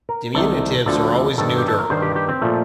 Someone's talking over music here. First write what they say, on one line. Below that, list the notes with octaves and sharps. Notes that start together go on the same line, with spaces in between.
Diminutives are always neuter.
A#4
C2 C3 D#3 A4
D2 D3 F3 A4
G2 D#3 A4
G4
A4
A#4
G2 D#3 C5
G4
G4
C4
A#2 F3 A3